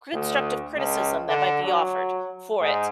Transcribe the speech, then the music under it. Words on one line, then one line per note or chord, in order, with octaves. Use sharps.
constructive criticism that might be offered for it,
D2
C#2
D3
F#3
G#2